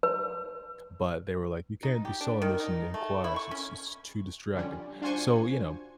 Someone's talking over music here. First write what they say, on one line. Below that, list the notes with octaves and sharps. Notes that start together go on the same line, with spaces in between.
But they were like, "You can't be selling this in in class. It's-it's too distracting." So, you know?
B4
D#4
G4
D4
D#3
D#4
A3
E4
C#6
C#4
D3 F3 G3 C#4
D4 F4 F#4 C5 G#5 C#6